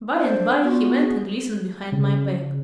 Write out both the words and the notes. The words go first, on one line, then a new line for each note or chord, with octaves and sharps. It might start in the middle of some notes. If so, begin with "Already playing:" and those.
By-and-by he went and listened behind my back.
D4 C5
B3 F4 F#4
G#4
C#3